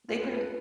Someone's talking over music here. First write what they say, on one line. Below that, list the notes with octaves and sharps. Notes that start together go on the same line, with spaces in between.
they pretty m
F4
B4
B4
B4